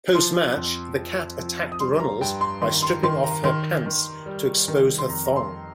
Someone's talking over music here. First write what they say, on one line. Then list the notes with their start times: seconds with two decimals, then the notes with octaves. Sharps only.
Post-match, The Kat attacked Runnels by stripping off her pants to expose her thong.
0.15 F3 C6
0.56 F2
0.97 F3
1.39 F3
1.72 D#6
1.80 G3 C6
2.00 A#5
2.21 G2 G5
2.41 C6
2.61 D#3 C6
2.82 C6
3.03 D#3 C6
3.24 A#5
3.44 D#3 C6
3.86 D#3
4.26 G3
4.68 D#3
4.98 C6
5.08 F2 A#5
5.26 A#5
5.36 C6